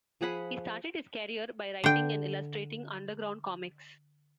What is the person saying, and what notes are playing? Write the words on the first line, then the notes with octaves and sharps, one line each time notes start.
He started his career by writing and illustrating underground comics.
F3 G#4 F#5 B5
D3 G5